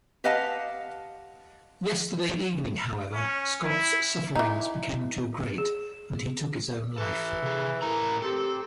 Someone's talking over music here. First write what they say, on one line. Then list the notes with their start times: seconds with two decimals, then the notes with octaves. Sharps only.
Yesterday evening, however, Scott's sufferings became too great, and he took his own life.
0.24 G4 B4 D#5 F5 F#5 A5
3.14 C#4
3.65 E4
4.35 E3 D#4
5.58 G#4
6.98 E3 A4 B4
7.42 C3 G#4
7.82 A2 E4 A#4 A#5
8.22 C4 G4 A4